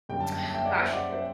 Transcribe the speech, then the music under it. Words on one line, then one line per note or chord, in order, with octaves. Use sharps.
ugh, gosh,
F#2 D3 G3 G5
A5
G5
A5
E5 G5
D5 F#5
C5 E5
D5 F#5
C5 E5